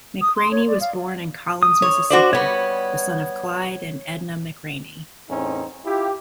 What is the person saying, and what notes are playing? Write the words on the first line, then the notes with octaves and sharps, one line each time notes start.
McRaney was born in Collins, Mississippi, the son of Clyde and Edna McRaney.
D#6
C6
C#5
D5
F5
D#6
C#5
F#4 C5 D5
G3 B3 C#5
E2 A2 C4 C#4 D#4
E4 F4 G4